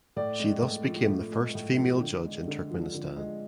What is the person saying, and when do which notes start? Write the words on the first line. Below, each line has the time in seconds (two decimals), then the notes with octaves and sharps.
She thus became the first female judge in Turkmenistan.
0.16 A2 D5
0.40 G#3
0.62 A2
0.86 F3
1.09 A2
1.32 G#3
1.55 A2
1.78 F3
2.01 D3
2.25 G#3
2.48 D3
2.71 F3
2.94 D3
3.17 G#3